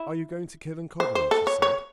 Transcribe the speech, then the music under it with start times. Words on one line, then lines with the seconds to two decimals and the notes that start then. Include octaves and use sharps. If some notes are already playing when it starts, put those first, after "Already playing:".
"Are you going to Killancodlem?" she said.
Already playing: E4
1.00 C5
1.15 C5
1.31 A4
1.47 C#5
1.62 C#5